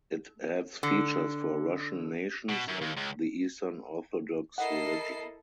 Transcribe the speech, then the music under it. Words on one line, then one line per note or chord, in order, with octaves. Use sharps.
It adds features for Russian nations and the Eastern Orthodox religion.
D3
B2
F#2
D#2
C#2
E4 A4 A#4 D#5 F#5 C7